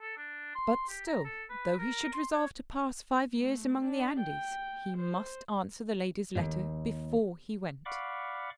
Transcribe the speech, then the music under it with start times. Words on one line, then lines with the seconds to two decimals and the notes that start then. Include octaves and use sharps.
But still, though he should resolve to pass five years among the Andes, he must answer the lady's letter before he went.
0.01 A4
0.17 D4
0.55 C6
0.89 G4
1.07 A#5
1.25 A4
1.49 B4
1.78 A#4
2.13 C6
2.32 C#5
3.37 A3
3.85 D4
4.20 G5
4.98 C5
6.35 D#2 G#2
7.86 D5 F5 F#5 B5 C#6 D6